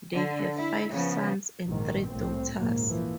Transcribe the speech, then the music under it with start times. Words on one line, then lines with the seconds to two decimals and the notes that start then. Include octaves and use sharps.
They have five sons and three daughters.
0.14 D3
0.58 E4
0.92 C#3 F3 B3
1.67 A#1 G#2 D#3
2.08 C2 A2 C4
2.55 A#1 D#2 G#2 A#3
2.87 A#1 E3 F3